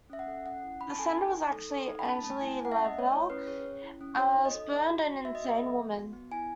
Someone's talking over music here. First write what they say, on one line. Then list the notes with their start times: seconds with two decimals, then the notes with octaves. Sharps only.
The sender was actually Angele Laval, a spurned and insane woman.
0.10 C#4 E5
0.19 F#5
0.28 A4
0.46 C#4 F#5
0.63 E4
0.81 C#4 B5
0.90 A5
0.98 A4 G#5
1.17 D#4
1.35 D#4
1.52 A4
1.70 A4
1.88 D#4
1.99 B5
2.05 C#4 A5
2.23 A3 A5
2.41 E4 G#5
2.59 A3
2.65 F#5
2.72 E5
2.77 C#4
2.85 D#5
2.94 A3 C#5
3.11 E4 C#5
3.30 C#4 B4
3.47 G#4 C#5
3.65 C#4
3.83 E4
4.01 C#4
4.18 F#4 C#5
4.36 D#4
4.45 D#5
4.54 A4
4.72 D#4
4.89 F#4
5.07 D#4
5.25 F#4 E5
5.35 D#5
5.43 B3 E5
5.60 A4
5.78 B3
5.96 F#4
6.13 B3
6.32 E4 G#5